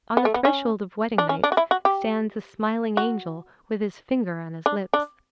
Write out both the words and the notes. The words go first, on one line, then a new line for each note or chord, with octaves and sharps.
On the threshold of wedding nights stands a smiling angel with his finger on his lips.
B3
A3
B3
C#4
D4
C#4
D4
F#4
E4
F#4
G4
F#4
D4
D4